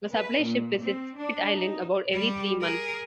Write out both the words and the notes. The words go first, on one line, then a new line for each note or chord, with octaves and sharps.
A supply ship visits Pitt Island about every three months.
B4
A#2
C4
D4
D#4
G3 G4
G#4 A#4